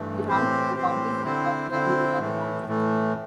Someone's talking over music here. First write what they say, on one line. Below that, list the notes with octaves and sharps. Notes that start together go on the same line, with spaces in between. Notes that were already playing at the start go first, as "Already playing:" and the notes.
The town is the county seat of Vermillion County.
Already playing: G2 E3 A3
A2 E3 C4 G4 C5
A2 E3 C4 G4 C5
D3 C4 E4 C5
D3 C4 E4 C5
A2 E3 A3
A2 E3 A3